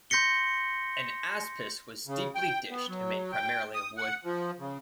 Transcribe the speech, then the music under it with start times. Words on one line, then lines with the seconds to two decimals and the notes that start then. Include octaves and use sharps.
An aspis was deeply dished and made primarily of wood.
0.10 C6 G6 A#6 B6 C#7 G7
2.07 C#3
2.35 G5
2.71 B3
2.89 F#3
3.32 G5
3.74 D#6
3.97 F#5
4.25 F3
4.60 C#3